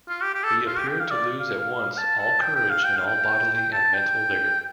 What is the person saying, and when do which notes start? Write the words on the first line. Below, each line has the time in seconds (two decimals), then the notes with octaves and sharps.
He appeared to lose at once all courage and all bodily and mental vigour.
0.09 F4
0.22 G4
0.34 G4
0.44 A4
0.67 F4
0.78 G4
0.88 G5
1.00 F5
1.11 D5
1.40 F5
1.54 F5
1.98 A5
2.19 A5
2.41 G5
2.56 G5
2.70 F5
2.85 G5
2.97 F5
3.07 G5
3.73 A5
3.94 G5